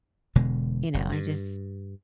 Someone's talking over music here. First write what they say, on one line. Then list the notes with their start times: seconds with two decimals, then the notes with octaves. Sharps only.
you know, I just
0.35 E1 B2 D3 G#3
0.94 F#1
1.12 G2